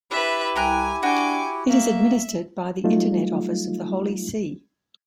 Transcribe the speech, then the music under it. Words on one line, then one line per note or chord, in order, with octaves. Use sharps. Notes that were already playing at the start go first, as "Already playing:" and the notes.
It is administered by the Internet Office of the Holy See.
D4 E4 G4 B4 E5
C2 G5 G#5 A#5 F#6
D4 F#4 G5 G#5 D6
A#3 E5
F#3 G3 A3 D#4 F4